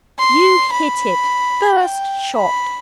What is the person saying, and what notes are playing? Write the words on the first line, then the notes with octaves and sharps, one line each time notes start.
You hit it first shot.
C6
B5
G5
B5